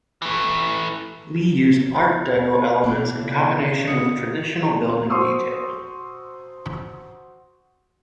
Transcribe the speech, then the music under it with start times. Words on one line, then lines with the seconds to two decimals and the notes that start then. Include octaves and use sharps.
Lee used Art Deco elements in combination with traditional building detailing.
0.22 E3 A3
1.88 D#2 C#3
2.84 B2 E3 B3 D4
3.17 C#3
3.87 D#3 A#3 B3 D#6 C#7
5.10 F#4 C5 C6 C#6 D#6 E6